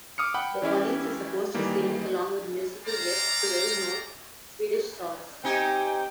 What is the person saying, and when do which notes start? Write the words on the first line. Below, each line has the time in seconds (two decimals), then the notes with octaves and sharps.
The audience is supposed to sing-along with musical guests to well-known Swedish songs.
0.18 D6 D#6 F6 C#7
0.34 F#5 G5 B5
0.62 E3 C#4 E4 G4
1.54 D#3 E3 G3 A#3
2.86 C5 D5 F5 A#5
5.44 C4 D#4 G4 G5 G#5